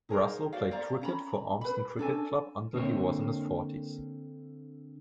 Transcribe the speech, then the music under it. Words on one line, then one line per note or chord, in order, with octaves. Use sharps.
Russell played cricket for Urmston Cricket club until he was in his forties.
D#4 G#4 A#4 C5
F#4 C5 D5 F5
C5 D5 F5 A#5
C#4 A#5 B5
B4 B5
C#4 D4 A4 G#5
D3 A#3 C4 C#5